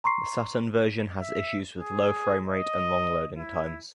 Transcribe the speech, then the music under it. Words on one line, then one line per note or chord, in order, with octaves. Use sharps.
The Saturn version has issues with low frame rate and long loading times.
A#5 C6 C#6 C7
E5
G#4
D#5
E4